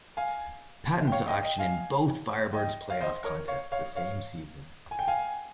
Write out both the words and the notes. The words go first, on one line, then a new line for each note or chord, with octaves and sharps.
Patten saw action in both Firebirds' playoff contests the same season.
F5 G#5
G5
C#5 F5
D#5 G5
D#5 G5
F5 G#5
D#5 G5
F5
C5 D#5
A#4 C#5
C#5 F5
C#5 F5
C#5 F5
G#5
G5
F5 G#5